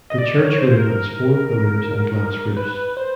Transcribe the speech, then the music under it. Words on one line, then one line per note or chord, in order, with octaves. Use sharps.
The church room has four pillars and glass roofs.
D#5
D5
C#5
C5
A#4
B4
C5